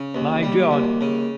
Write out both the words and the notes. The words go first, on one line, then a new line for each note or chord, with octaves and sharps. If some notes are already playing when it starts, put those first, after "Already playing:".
My God!
Already playing: C#3
D#2
G3
D#2
C#3